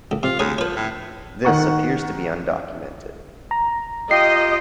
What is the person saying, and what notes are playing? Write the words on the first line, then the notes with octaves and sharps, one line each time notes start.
This appears to be undocumented.
C#2
C3 F4
D2 G#4 C#5
F3 B4 C#5
A2
D#3 F#5 C#6
A#5
F4 G4 D#5 G5 C7